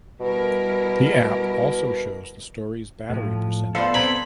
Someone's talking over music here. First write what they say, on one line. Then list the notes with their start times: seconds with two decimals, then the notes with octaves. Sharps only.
The app also shows the Stories’ battery percentage.
0.20 B2 G3 E4 A#4
3.10 A2 F3
3.75 F3 B3 A4 C5 D5 F5 E6
3.94 C4 C5 A#5 B5 G#6